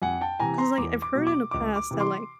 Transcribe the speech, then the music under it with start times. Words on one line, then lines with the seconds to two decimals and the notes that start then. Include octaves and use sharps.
'cause, like, I've heard in the past that, like,
0.02 F2 F#5 G#5
0.21 G5 A5
0.40 C3 E3 G#5 A#5
0.58 A#5 C6
0.78 E2 D6
1.02 D6
1.15 B2 F#3
1.27 D6
1.51 C#2 D6
1.76 D6
1.91 C3 E3
2.00 C6 D6